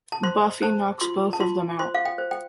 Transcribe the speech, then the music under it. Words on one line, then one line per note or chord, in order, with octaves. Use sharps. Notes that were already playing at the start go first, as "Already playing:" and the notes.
Buffy knocks both of them out.
A5
C5 C6
C5 A5
F4 C6
A5
F4 C6
C5 C6
F5
G5
C5
G5